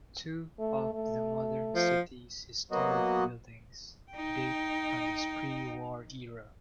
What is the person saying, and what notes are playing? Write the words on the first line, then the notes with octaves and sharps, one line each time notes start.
Two of the modern city's historic buildings date from this prewar era.
A3
A3
F3
F#3 A#3 B3 F#4 D#5
D#4 G5